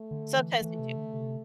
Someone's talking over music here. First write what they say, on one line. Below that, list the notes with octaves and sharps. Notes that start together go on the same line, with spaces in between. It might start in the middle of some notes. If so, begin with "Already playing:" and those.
Sometimes they do.
Already playing: A3
D3
E3
E3 A3
C3
D3
C3